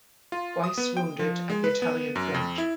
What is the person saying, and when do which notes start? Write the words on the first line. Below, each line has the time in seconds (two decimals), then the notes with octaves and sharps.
Twice wounded at the Italian Front.
0.32 F4
0.64 D#6
0.78 B3
0.97 G5
1.19 F3
1.50 G#3
1.64 B4
1.82 B3
2.15 F#2
2.34 F2
2.58 E4